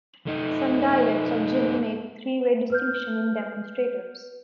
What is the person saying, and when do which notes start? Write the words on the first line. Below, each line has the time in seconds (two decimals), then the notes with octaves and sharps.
Some dialects of Jin make a three-way distinction in demonstratives.
0.27 A3 D#4
2.70 B4 F6 G6